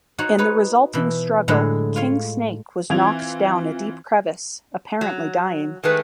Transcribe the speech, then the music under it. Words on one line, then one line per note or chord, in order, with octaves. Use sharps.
In the resulting struggle, King Snake was knocked down a deep crevice, apparently dying.
D#4 F#4 C5 C#5
D#4 B4 C#5
B2 E3
A2 D3 F#3 G#3
F4 C#5 F5
E3 C4 F4 G#6 F7
F#3
D#3 G#3 A3 B4